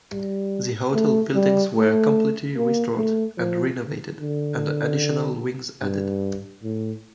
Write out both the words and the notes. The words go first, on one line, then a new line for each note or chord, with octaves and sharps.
The hotel buildings were completely restored and renovated, and additional wings added.
G3
A3
G3
A3
A#3
A3
F3
D3
G2
A2